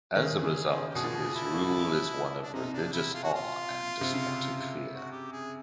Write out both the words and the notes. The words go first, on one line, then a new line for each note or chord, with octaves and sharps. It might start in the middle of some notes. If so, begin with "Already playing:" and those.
As a result, his rule is one of religious awe and despotic fear.
D#3 G#4
C#3
G4
B2 G#4
A#2
B2
E4
D4
C3 D#4
D4
E4
F4
F#4
F4
C3
C#3
F#4
G4
G#4